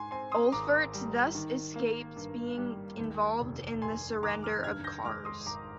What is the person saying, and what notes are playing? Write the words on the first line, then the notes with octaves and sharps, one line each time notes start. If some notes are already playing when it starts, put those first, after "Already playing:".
Olpherts thus escaped being involved in the surrender of Kars.
Already playing: G#2 G#5 C6
C4 G#5 C6
C6 D#6
G#1 A#5 D6
G3
D#3
A#3
G2
G3
D#2
F1
F1 G#5 C6
D#3 A#5 D6
D6 F6
G2 F6 G#6
G6 A#6
G#3 D6 F6
C6 D#6
G#1 A#5 D6